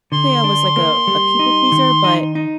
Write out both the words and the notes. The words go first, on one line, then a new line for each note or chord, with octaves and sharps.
say I was like a a people pleaser, but
D3 C6
D4
A#3
G3
D#4
D#3
D#4
D#4